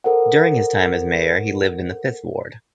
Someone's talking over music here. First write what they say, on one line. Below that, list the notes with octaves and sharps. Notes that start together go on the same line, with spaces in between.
During his time as mayor he lived in the Fifth Ward.
A4 A#4 C5 F#5